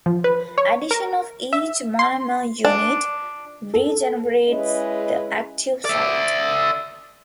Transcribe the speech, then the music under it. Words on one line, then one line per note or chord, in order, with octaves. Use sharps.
Addition of each monomer unit regenerates the active site.
F3
B4
C#5
A#4
E5
C6
D4
A4
G#3 C#4 E4 B4 D#5
D5 E5